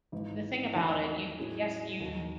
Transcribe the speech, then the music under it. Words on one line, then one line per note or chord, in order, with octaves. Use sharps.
the thing about it, you yes, you
G#1 G#2 E3
E2 D#3 A3 C#4 F#4
A2 F#3 C#4 E4 G#4
D#2 D#3 F#3